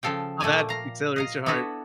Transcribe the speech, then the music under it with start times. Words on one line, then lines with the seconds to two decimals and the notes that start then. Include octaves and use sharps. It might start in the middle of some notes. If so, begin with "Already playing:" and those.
how that accelerates your heart.
0.03 C#3 F3 A4 F5 G5
0.40 A#2 A3 D5 G5 G#5
0.69 F5 A#5
1.16 D#5 F5 A#5
1.46 B3 D4 E4 F#4 A4 B4